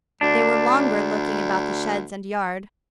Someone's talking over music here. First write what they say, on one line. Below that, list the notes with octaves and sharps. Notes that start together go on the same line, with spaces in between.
They were longer looking about the sheds and yard.
D2 D4